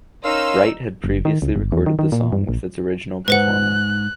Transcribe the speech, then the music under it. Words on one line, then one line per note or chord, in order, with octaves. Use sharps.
Wright had previously recorded the song with its original performer.
C#4 D#4 A#4 F5 C6 E6
F#1
D#3
C#2
G1
E2
D#3
D#3
A#2
G2
A#1
G#2 B4 C5 F#5 F#6